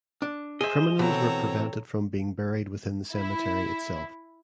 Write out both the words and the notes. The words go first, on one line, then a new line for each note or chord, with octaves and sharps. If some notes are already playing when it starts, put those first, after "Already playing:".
Criminals were prevented from being buried within the cemetery itself.
D4
G#4 C5 D#5 E5
B2 E3 C4 A4 C#5 A#5
E4